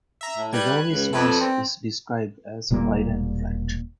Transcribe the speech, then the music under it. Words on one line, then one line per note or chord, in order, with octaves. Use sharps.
The yowie's nose is described as wide and flat.
E5 A#5
A2
G3 B4 F#6 G#6
C#2
F2 A4 B4 D5
C4
E1 A#2 G3 A#3